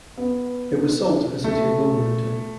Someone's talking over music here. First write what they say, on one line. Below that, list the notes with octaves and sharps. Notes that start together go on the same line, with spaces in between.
It was sold to the city of Wilmington.
B3
A3